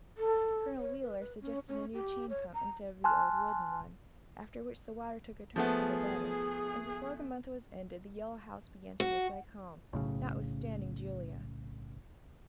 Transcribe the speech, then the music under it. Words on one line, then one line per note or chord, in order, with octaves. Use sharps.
Colonel Wheeler suggested a new chain pump instead of the old wooden one, after which the water took a turn for the better, and before the month was ended the Yellow House began to look like home, notwithstanding Julia.
A4
C#5
B4
B4
C#4
C#4
G4
C#5
A#5
G#5 A5 C6 F6 F#6
F3 A3 B3 G#4
F#4
B1 A2 C#3